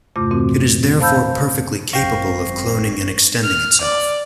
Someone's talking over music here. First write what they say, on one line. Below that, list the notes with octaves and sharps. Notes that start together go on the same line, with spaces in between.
It is therefore perfectly capable of cloning and extending itself.
E2 G2 C3 A3 F4 D6
A#2 E3 C4 F#4
C5 F5 A5 B5 E6 G6
G#1 F#2 C4 F5 G5 C#6 A#6 C7
F6
D5